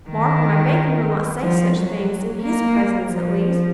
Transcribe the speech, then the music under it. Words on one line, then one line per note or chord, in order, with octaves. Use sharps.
Markham, I beg you will not say such things, in his presence, at least.
D#3
F3
F#3
A#3
F3